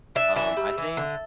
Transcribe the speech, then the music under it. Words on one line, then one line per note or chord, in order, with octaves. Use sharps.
Um, I think
D4 E5
E3 E5
G3
E3
D3